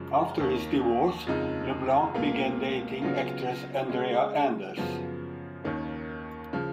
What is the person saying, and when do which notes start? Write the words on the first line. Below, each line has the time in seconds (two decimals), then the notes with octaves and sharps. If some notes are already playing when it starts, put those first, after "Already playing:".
After his divorce, LeBlanc began dating actress Andrea Anders.
Already playing: F#2 C#3 F3 G#3
0.40 D#2 D#3 A#3
1.27 F2 C#3 G#3 D#4
2.14 C#2 B2 A#3 F4
3.02 C#3 F#3 B3 F4
3.89 C#3 G#3 C#4
4.77 F#2 C#3 F3 B3
5.64 D#2 D#3 A#3 C#4
6.53 C#3 F3